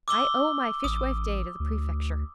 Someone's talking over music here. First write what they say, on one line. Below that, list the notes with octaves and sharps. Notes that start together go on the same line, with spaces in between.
"I owe my fishwife day to the prefecture."
D6 E6 G7
A1 D#6
D2